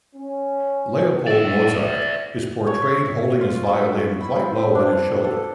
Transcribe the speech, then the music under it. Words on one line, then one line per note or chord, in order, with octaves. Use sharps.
Leopold Mozart is portrayed holding his violin quite low on his shoulder.
C#4
D5 E5
C#5
E5
F4
E5
B5
C4
D4
A4